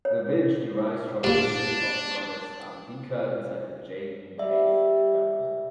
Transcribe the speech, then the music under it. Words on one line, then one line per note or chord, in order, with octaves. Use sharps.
The village derives from the image of Goddess Ambika inside the Jain cave temple.
C#5
G2 A#2 D4
G3 D5 E5